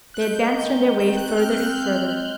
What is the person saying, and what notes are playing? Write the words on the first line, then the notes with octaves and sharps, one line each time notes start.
They advanced on their way further and further.
F#6
G#3 G6
D#3
C4 G6
F#6
C4 F6
G6
G#3